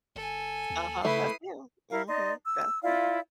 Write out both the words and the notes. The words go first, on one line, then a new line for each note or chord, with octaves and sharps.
Uh-huh, that's him. Mhm. That's him.
G1 A4 G#5
D#2
C#3 A3 E4 B4 D#6 C7
E4 A#4 F5
D#4 D5 D#5 C6
E6
E4 F4 D5 F5